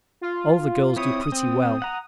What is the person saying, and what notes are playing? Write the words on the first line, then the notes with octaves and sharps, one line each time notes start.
All the girls do pretty well.
F4
C4 E4 C#5 D#6
C4
F#5 A#5